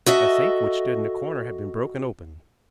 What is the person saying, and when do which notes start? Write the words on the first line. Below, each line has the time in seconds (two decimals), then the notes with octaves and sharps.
A safe which stood in a corner had been broken open.
0.06 F#4 A4 D#5 E5